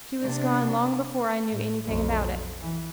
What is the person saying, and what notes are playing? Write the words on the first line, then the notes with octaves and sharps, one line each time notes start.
She was gone long before I knew any thing about it.
C3 D4
A2
B1 F2
E3